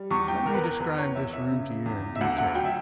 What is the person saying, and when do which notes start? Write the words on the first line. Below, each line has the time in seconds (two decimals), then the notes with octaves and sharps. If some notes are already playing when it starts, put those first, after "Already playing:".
Let me describe this room to you in detail.
Already playing: G3
0.11 E2 C#6
0.28 G5
0.45 E2 A#4
0.54 B4
0.64 A#4
0.80 E2 B4
0.98 C#5
1.16 E2 E5
1.33 E5
1.51 C#3
1.86 E2
2.16 E5
2.21 D2 F#5
2.38 F#5
2.55 F#3 G5
2.65 E5